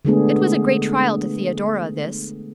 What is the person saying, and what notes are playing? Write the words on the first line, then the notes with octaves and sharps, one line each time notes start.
It was a great trial to Theodora, this.
D3 G#3 A3 B3 D4 G#4